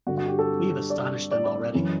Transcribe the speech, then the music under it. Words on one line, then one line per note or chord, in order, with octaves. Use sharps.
We have astonished them already.
G2 D3 F#4
F#4
G4
A4
D5
D5
D5
F#2 E3